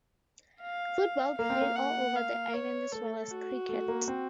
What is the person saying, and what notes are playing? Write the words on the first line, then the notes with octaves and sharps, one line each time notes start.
Football played all over the island as well as cricket.
F5
A#3 F5
C4
A#3
F#5
F5
C#5
A3 A4
F#4
A3
A#3
C4